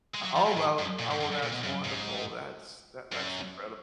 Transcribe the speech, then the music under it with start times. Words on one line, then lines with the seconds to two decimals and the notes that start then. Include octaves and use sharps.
Uh, oh, well oh, well that's wonderful. That's that that's incredible.
0.15 G#3
0.25 F#3
0.36 F3
0.46 A#2
0.57 G#2
0.79 F#2
0.99 A#2
1.11 G#2
1.21 F#2
1.43 A#2
1.52 B2
1.63 F#2
1.84 G#2
3.12 F#2